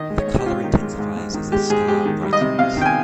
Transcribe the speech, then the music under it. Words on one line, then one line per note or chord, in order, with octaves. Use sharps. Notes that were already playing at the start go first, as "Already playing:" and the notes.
The color intensifies as the star brightens.
Already playing: D#3 D#5
G#3
C#5
G#2
G4
G#2 F4
D#3
G#3
G#2
G#2
D#3
G#3 G4
G#2 G#4
G#2 G4
D#3
G3
D#5
C3
C3 F5
D#3 G5
G#5